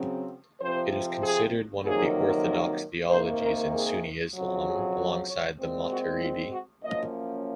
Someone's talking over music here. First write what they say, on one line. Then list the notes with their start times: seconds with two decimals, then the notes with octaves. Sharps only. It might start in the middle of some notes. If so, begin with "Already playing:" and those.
It is considered one of the orthodox theologies in Sunni Islam, alongside the Maturidi.
Already playing: C#3 F#3 C4
0.60 F2 C3 F3 C4 C5
1.23 G#4
1.85 F2 C3 D#3 F#3 A#3 G#4
2.48 A#4
3.09 C3 D#3 A#3 C5
3.40 A#4
3.72 G#4
4.34 F2 C#3 F#3
4.65 G#4
5.27 C#5
5.58 A#2 G#3 C4
5.90 F#4
6.21 F4
6.51 F#4
6.83 F#2 F3 A#3 C#4 D#5